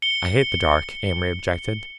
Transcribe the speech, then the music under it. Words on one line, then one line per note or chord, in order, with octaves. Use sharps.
"I hate the dark," Amory objected.
C#7 G7